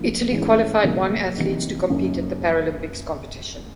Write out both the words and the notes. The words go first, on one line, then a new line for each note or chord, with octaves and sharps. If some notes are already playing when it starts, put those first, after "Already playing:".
Italy qualified one athletes to compete at the Paralympics competition.
Already playing: D3 F3 A#3
G#2 E3 G#3 C#4 E4
C#2 B2 F#3 A#3
C3 E3 G3 A#3 D#4
F#2 C#3 F#3 A#3 D#4